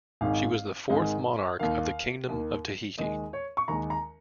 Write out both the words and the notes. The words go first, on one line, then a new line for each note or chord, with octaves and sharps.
She was the fourth monarch of the Kingdom of Tahiti.
G#1 G#2 D#3 G#3 F5
G#1 G#2 D#3 G#3
D#2 D#3 A#3 F5
D#2 D#3 A#3
D#2 D#3 G#3 D#5
C#5
C#6
D#2 D#3 G#3 A#5
A#5